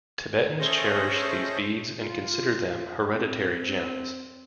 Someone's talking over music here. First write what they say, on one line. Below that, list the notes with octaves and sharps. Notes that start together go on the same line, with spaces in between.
Tibetans cherish these beads and consider them hereditary gems.
A3 C#4 G#4 A4 C5 D#5
F4
C4